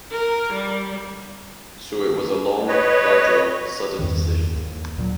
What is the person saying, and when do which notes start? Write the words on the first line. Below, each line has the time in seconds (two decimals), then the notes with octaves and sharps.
So it was a long, gradual, sudden decision.
0.11 A#4
0.54 G3
2.68 B4 C#5 D#5
3.99 E2 G2 D#3
4.56 D#2
4.97 A#1 A#2 F#3